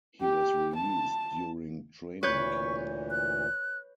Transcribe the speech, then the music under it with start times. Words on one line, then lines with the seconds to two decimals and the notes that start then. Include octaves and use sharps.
He was released during Training Camp.
0.21 G4
0.75 A5
2.23 D2 A#2 E3 B4 C#5 C#6 G6
3.11 F#6